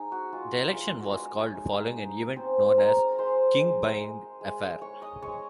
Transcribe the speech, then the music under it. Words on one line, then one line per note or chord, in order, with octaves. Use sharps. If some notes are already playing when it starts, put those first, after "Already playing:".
The election was called following an event known as the King-Byng Affair.
Already playing: G#3 D#4
F#4
G#3 F4
F#4
G#3 F4
F#4
G#3
D#4
D#4
C4 C#4 C5
G#3 A#4 A#5
G#3 C5 C6
G#3
G#3
G#3
G#3 C#5 C#6
D#5 D#6
G#3 C#5 C#6